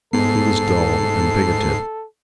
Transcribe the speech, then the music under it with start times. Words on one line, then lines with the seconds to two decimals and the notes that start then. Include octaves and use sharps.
He was dull and bigoted.
0.13 G#2 B3 A4 C7